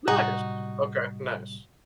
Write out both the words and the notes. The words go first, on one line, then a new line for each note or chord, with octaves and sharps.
Nice. Okay, nice.
A2 C3 G3 D#4 F#4